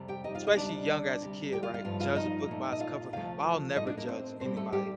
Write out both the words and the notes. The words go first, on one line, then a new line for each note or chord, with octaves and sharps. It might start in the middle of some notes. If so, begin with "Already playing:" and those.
especially young as a kid, right, judge a book by its cover, but I'll never judge anybody
Already playing: F2 C3 G3
G4 G5
D#4 D#5
F4 F5
D#4 D#5
D2 C3 G3 D4 D5
D2 C3 G3
G4 G5
F4 F5
F4 F5
G2 F3 A3 F4 F5
F4 F5
D#4 D#5
A#2 A3
D#5
F4 F5
D2 C3 F3 A3 F4 F5
A2 A3 D#4 D#5
D4 D5
A#3 A#4
C4 C5
A2 G3 C4 C5
A3 A4
G3 G4